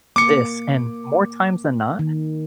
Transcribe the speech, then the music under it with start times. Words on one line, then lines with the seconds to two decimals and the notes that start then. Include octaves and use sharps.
this," and more times than not,
0.16 A#3 D6 C#7
1.99 D#3